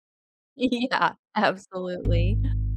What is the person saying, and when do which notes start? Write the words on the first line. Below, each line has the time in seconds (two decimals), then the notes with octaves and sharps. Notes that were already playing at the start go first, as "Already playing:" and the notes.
Yeah. Absolutely.
2.05 G#1